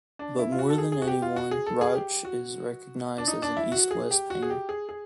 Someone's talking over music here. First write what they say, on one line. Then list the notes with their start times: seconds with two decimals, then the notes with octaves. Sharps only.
But more than anyone Rauch is recognized as an East-West painter.
0.19 D4
0.39 E4
0.52 F4
0.59 F#4
0.70 A4
0.78 G#4
0.92 G#4
1.02 F#4
1.08 G4
1.22 F4
1.36 F#4
1.51 G#4
1.66 A4
1.81 G#4
1.95 G4
2.25 F#4
3.18 D4
3.28 D#4
3.42 D4
3.57 E4
3.72 F#4
3.91 G#4
4.11 G4
4.30 F#4
4.43 G#4
4.50 G4
4.69 G#4
4.89 G#4